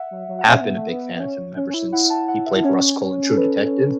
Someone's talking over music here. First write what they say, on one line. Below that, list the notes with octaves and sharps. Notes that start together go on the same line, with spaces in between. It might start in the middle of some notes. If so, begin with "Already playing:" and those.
have been a big fan of him ever since he played Rust Cohle in True Detective,
Already playing: E5 F#5
F#3
F#3
F#5
C#4 E5
B3
A3
B3
B3
C#4 C#5
C#4
C#4
E4
E4 F#5
A5
F#5
E5
E4
C#4 C#5
C#5
A4
B4